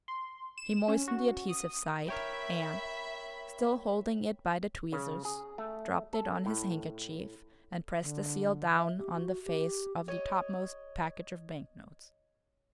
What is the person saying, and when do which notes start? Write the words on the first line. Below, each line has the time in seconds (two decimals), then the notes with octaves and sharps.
He moistened the adhesive side, and, still holding it by the tweezers, dropped it on his handkerchief and pressed the seal down on the face of the topmost package of banknotes.
0.08 C6
0.58 E7
0.88 C#4
1.08 F#4
1.49 D#6
2.09 A#4 C#5 E5 G5 B5
4.92 C#3
5.25 G#4
5.58 A3
6.13 A4
6.46 A2
8.02 D3
8.77 E5
8.98 G4
9.13 F#4
9.45 G4
10.08 C#5 D#5